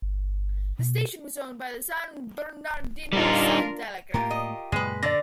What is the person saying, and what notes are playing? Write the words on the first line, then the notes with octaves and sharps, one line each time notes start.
The station was owned by the "San Bernardino Sun-Telegram".
G1
B2
G3 D4 D#4 F4 A#4
A2 A#3 F4 G4 A#4
D#5
F#2 A#2 C#3 G#3 B4
D3 D5 A6 A#6